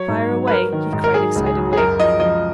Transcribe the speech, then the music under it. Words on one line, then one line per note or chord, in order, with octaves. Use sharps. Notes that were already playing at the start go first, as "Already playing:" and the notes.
"Fire away!" he cried excitedly.
Already playing: F#3 C#5
G#2
F#3
B4
F#3 A#4
D#3
G#2
A#4
F#3 G#4
C#2
G#4
F#3
G#4
F#2 A#4
F3 D#5
F3 D#5